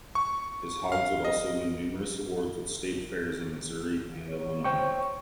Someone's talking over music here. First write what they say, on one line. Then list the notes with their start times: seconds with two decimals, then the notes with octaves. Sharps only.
His hogs would also win numerous awards at state fairs in Missouri and Illinois.
0.15 C#6
0.92 F5
1.25 D#5
4.30 C#5
4.64 C5 G5 C#6